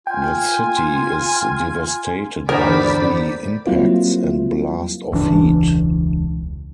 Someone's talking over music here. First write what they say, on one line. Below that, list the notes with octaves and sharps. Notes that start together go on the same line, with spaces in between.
The city is devastated by the impacts and blast of heat.
F4 G5 G#5
G1 E2 A#4 C5 D5 B5
F#3 G3 A#3 C4 E4 F4
E1 C#2 E3 D4